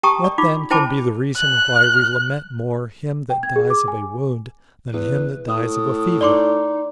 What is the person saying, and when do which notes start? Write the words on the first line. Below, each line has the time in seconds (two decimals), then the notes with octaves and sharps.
What then can be the reason why we lament more him that dies of a wound, than him that dies of a fever?
0.03 G4 G5 A5 A#5 C#6 D#6
0.24 D5
0.38 D#4 F4 D6
0.71 E4 C5 G5 A5 B5 D6
1.37 F#6
3.30 G5
3.43 G#6
3.56 G#4
3.70 D6
3.88 G#5
4.93 E2 B4
5.48 A2 D#6
6.21 D#4 D5 C6 D6